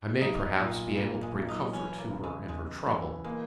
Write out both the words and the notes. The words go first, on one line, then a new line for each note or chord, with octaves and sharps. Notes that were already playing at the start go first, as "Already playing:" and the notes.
I may, perhaps, be able to bring comfort to her in her trouble.
B1 D#4
A#2 D#4
G3 A#3
G#3
B1
D#4
E3 C#4
A#3
C#3
G#3
E3 G#3
E3 G3
G#3 A#3